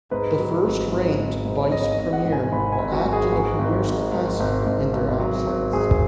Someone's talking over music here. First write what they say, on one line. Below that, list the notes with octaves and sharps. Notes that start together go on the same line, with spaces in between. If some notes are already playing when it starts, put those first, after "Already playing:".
The First-ranked Vice Premier will act in the premier's capacity in their absence.
G#2 B4
F#3
G#1
G#2
G#1
G#2
C#5
G#1 D#5
D#5
G#2
F#5
G#2
G#5
G#1 B5
G#5
G#1
F#4
G#1
G#4
G#2 F#4
G#1
G#2
G#1
G#1
G#1
G#1
F#3
G#1
G#1 G#4